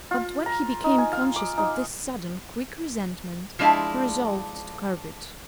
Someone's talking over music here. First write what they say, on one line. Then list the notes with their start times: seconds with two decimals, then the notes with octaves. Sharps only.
But when he became conscious of this sudden, quick resentment, he resolved to curb it.
0.11 F4
0.46 A#5
0.84 D#4
0.98 G#5
1.13 F5
1.36 D6
1.58 D#4
3.59 F3 G#3 D4 E4 F5